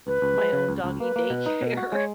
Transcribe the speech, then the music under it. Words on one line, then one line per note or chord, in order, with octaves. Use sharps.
m my own doggy daycare.
C#2 B4
C#2
G#3
C#3
C#2
C#2
A#3 B4
A#3
B2
D#4
B2
F#4
G#3 C#5